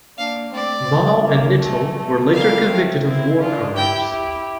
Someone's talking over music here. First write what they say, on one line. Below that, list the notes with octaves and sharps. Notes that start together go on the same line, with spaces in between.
Mahl and Knittel were later convicted of war crimes.
A#3 D4 F5
A3 C4 D5
G3 A#3
A3
A3
G3 A#3 F5
A3 C4
C4 E4
D4 F4
E4 G4 G5
E4 G4